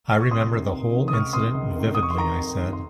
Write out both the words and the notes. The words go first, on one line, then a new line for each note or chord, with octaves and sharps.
"I remember the whole incident vividly," I said.
C#6
C2 C6 D#6
C3 D#3
C2
C3 D#3
D#6
C#2 C#6 F6
C3 D#3 C6 D#6
C#2
C3 D#3
F2 D#6
C#6
C6
D#3 A#5 C#6
F2
D#3
C6